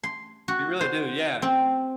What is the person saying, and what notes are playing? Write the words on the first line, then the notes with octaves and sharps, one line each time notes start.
You really do, yeah.
C6
F#4
C5
C4